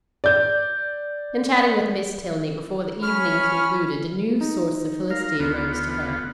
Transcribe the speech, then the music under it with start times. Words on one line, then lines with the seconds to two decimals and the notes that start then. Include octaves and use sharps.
In chatting with Miss Tilney before the evening concluded, a new source of felicity arose to her.
0.24 D5 G6
3.03 C#4 B5 F6
4.41 D#4
5.11 A#4 F5
5.40 D2 B3 F4